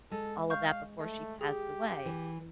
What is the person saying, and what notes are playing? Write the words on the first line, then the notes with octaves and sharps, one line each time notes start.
all of that before she passed away,
G#3 A4
F5 C#6 G6
A3
G4 G#4
E3